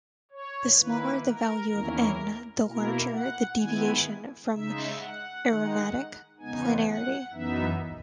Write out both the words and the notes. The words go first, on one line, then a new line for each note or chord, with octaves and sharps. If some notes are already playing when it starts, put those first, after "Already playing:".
The smaller the value of n the larger the deviation from aromatic planarity.
C#5
D#3 A#3 E4 B4
A#4
E2 D#3 A#3 C#4 E4
B2 A#3 E4 A#4
F#5
D#3 G#3 B3 E4 G#5
C#3 G#3 D#4 E5
F#5
D#3 G#3 D#4
E2 C#3 G#3 B3 D#4 G#5
F#5
F#2 E3 B3 D#4 E5